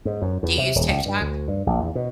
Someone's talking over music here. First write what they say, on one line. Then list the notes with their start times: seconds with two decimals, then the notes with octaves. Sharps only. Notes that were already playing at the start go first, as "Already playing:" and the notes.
Do you use TikTok?
0.05 G#2
0.22 F#2
0.43 E2
0.58 C3
0.75 D#1
0.88 C#2
1.06 G2
1.21 D2
1.48 G2
1.67 A#1
1.80 E2
1.95 B2